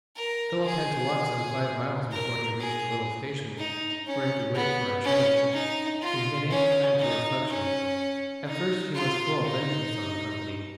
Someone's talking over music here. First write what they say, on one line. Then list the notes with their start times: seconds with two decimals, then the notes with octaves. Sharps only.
Philip had to walk some five miles before he reached a little station, where he could wait for a train, and he had ample time for reflection. At first he was full of vengeance on the company.
0.16 A#4
0.64 G#4
2.11 A#4
2.60 G#4
3.57 D#4
4.07 C#4
4.55 B3
5.04 C#4
5.53 D#4
6.02 F4
6.50 C#4
6.99 D#4
7.48 C#4
8.46 D#4
8.95 F4
9.43 D#4